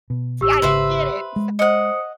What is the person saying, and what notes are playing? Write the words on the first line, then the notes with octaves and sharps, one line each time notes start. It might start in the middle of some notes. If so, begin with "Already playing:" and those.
See, I didn't get it, so
B2
A1 G4 E6
G#1 C#3 B4 C5 E5
G#3
C5 D#5 F#5 D#6 C#7